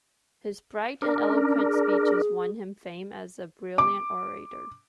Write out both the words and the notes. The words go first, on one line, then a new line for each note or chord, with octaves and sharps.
His bright and eloquent speeches won him fame as a brilliant orator.
D4 A#4
C#4
G#4
D6